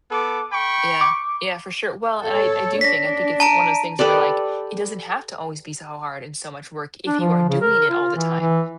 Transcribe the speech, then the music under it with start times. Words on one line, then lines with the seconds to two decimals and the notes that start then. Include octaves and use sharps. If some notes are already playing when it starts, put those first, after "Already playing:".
Yeah. Yeah, for sure, well, and I I do think, I think it's one of those things where, like, it doesn't have to always be so hard and so much work if you are doing it all the time,
0.11 B3 A4 D6
0.53 G5 B5 C#6
1.01 D6
2.24 A4 C#5
2.81 D4 A#6 B6
3.40 A5 A#5 D7
3.99 G4 A4 B4 D5
7.07 D4
7.20 F3
7.49 C#3
7.62 A#4
7.89 F4
8.16 E3
8.41 E3